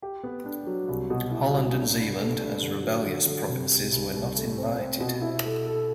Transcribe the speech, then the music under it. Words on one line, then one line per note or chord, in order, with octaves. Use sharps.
Holland and Zeeland, as rebellious provinces, were not invited.
G4
B3
D4
F#3
C2
B2
E4
C2
D4
D4
A3
D4
D3
F#3
D3
D3
C3
C2
C2
C2
A3
C4
C4
B2
E4
A4
A4